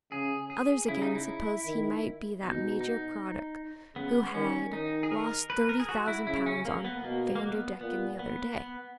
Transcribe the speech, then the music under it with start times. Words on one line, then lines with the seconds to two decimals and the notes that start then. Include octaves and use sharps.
Others, again, supposed he might be that Major Craddock who had lost thirty thousand pounds on Vanderdecken the other day.
0.12 C#3 G#4
0.50 G#4
0.88 C#3 E4
1.02 D#4
1.15 E4
1.66 D#3
2.42 B2 D#4
2.81 D#4
3.96 C#3 B3
4.34 D#3 C#4
4.73 D#3 D#4
5.03 G#4
5.12 A#4
5.50 B4
5.69 A#4
5.80 G#4
5.89 F#4
6.08 E4
6.27 C#3 E4
6.46 C#4
6.65 A#3
6.85 B3
7.04 B2 A#3
7.35 A#3
7.42 B3
7.81 A#2 B3
8.19 B3
8.58 B3